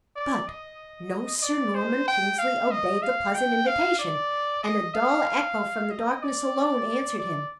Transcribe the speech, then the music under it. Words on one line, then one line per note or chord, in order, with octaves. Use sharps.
But no Sir Norman Kingsley obeyed the pleasant invitation, and a dull echo from the darkness alone answered him.
D5
D#5
D5
C5
G5
F5
D#5
F5
G5
F5
D5
D#5
F5
D#5
D5
D5